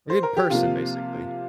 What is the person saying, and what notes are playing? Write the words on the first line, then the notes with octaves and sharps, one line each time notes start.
A good person, basically.
C5
A#4
G4
C3 F3 A#3 F4